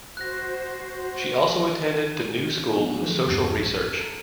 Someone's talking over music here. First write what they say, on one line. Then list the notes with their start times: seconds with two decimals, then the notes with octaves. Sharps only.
She also attended the New School of Social Research.
0.17 F#4 C5 F#6 A#6
2.76 F#3 A3 B3 D4 F#4
3.01 D3 E3 F3 A3 D4 D#4
3.27 E2 G2 F#4 A#5 D7
3.55 A#1 E4 A6 A#6
3.98 A4 A5 A#5